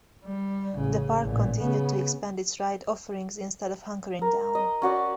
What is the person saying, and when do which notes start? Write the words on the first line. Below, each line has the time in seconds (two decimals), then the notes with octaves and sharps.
The park continued to expand its ride offerings instead of hunkering down.
0.25 G3
0.74 A1 C#3
1.23 A1 A#2
1.59 C#3 B3
4.22 A#4
4.55 D#5
4.82 C#4 F#4 D5